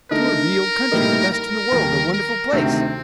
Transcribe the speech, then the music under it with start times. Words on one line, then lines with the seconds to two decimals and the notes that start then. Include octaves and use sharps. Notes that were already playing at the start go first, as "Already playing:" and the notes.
"To a real country--the best in the world--a wonderful place!"
0.10 D3 A3 D#4 A#4
0.91 A2 G3 A#3 D#4
1.31 A#4
1.72 D#2 D#3 G3
2.13 A#4
2.52 D2 C3 D#3 C4